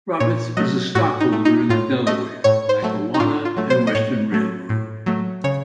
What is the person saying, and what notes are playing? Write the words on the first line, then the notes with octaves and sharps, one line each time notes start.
Roberts was a stockholder in the Delaware, Lackawanna and Western Railroad.
A#2 C#5
F#3 A3 D#5
A2 F#4
D#4
A3
D#4
A2 F4
A3 D#5
A2 C#5
C5
F#3 A3
D#4
A2 F4
F4
F#3 A3
C5
D#5
A2 C#5
F#3 A3
A2
F#3 A3
C#3 C#5